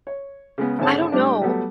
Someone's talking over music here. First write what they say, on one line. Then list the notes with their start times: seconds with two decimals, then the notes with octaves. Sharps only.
I don't know.
0.07 C#5
0.58 C#3 G#3 B3
0.79 G#1 D3 G#3 C#5 A5
1.12 A2 G3 D4
1.41 F#3 G3 A3 B3